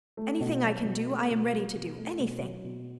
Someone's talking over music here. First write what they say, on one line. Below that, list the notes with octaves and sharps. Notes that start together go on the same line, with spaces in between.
Anything I can do, I am ready to do anything!
A3
B2
F#3
B2
A3
B2
F#3
B2
A3
B2
F#3
B2